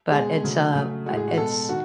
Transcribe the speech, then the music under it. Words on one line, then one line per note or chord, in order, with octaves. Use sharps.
but it's, uh uh, it's
B2 G#3 G#4
C#3 F#3 A3
C#3 F#3 A3
A2 G#3 F#4
G#4
F#4
B2 G#3 A4
D#3 F#4